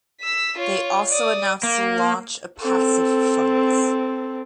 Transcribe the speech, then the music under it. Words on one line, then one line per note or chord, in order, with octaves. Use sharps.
They also announced the launch of Passive Funds.
E6 B6
F4 C#5
D5 D#6
A#3
C4 A4